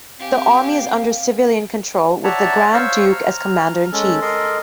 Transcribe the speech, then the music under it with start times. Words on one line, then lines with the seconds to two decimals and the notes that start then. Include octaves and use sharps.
The army is under civilian control, with the Grand Duke as Commander-in-Chief.
0.20 C4 G4 F5 G#5
2.24 C#5 D5 E5 F#5 A5 A#5
2.74 C5 C#5 F5 C#6 E6 F6
3.12 A#5 F6
3.92 G#3 C#4 A4
4.22 A4 A#4 D#5 C6